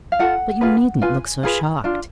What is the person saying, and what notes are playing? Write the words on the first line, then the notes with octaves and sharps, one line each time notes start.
But you needn't look so shocked.
F5
F4 A4 F#5
F4 G#4 B4
F4 B4 G#5
F4 G#4 B4
D4 F4